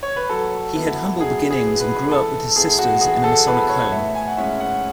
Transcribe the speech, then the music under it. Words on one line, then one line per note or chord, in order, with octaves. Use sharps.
He had humble beginnings and grew up with his sisters in a Masonic home.
C#5
B4
F#3 A4
B3 E4
F#3 G#4
G#4
B3 E4
B4
E3 A4
B3 E4 G#4
F#4
E3 G#4
A4
B3 E4 B4
C#5
A2 E5
G#5
F#5
G#3 C#4 E4 E5
F#5